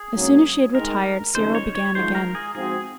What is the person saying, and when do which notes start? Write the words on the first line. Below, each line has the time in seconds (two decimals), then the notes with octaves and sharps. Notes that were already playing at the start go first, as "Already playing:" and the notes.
As soon as she had retired, Cyril began again.
Already playing: G#4
0.15 G#2 F#3 A#3 C#4
0.74 G#2 D#3 G#3 D#4 A#4
1.35 D#2 C#3 F3 G#3 D#4 C5
1.55 C#5
1.75 C#5
1.95 G#1 G#2 F3 G#3 C5
2.15 A#4
2.35 G#4
2.55 G#2 F3 C4 F#4 G#4